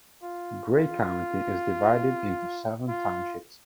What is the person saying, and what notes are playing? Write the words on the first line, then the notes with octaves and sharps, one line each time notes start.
Gray County is divided into seven townships.
F4
F4
F4